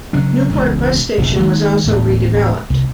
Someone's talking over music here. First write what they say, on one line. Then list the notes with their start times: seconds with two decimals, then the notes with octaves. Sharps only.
Newport bus station was also redeveloped.
0.13 C#3 F#3 C#4 D4
0.50 E1 C#2
1.18 F1 A#1 C#3
1.38 D#3 F#3 G#3 A#3
1.86 E1 D2 A2
2.70 C2